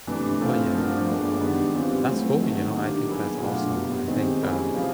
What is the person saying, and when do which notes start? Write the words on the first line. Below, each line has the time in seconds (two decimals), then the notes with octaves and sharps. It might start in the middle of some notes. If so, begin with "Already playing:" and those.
Oh, yeah, you know, um, that's cool, you know, I think that's awesome, I think, uh,
0.07 C3 E3 A3 D4
0.41 A3 C4 F4 A4
0.75 F3 A3 D4 F#4 A#4
1.08 G#3 B3 D4 F4
1.40 D#3 G3 B3 D4 G4
1.74 E3 G3 C4 F4
2.08 A2 F#3 A3 C4
2.40 D#3 F#3 A3
2.74 D#3 G3 A#3 D4
3.07 F#3 B3 E4 G#4
3.41 B2 F#3 A3 D4 F4
3.74 B2 G3 B3
4.08 D#3 G#3 C4 D#4 G4
4.41 G3 A#3 C#4 E4 G#4
4.74 C3 F3 A#3